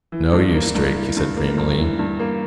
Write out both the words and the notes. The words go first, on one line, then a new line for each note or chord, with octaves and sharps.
"No use, Drake," he said dreamily.
E3
G2
A#3
G2
E3
G2
A#3
G2
E3
G2
A#3